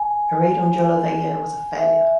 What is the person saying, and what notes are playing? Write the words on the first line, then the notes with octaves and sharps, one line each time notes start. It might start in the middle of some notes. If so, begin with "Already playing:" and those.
A raid on Jolo that year was a failure.
Already playing: G#5
E5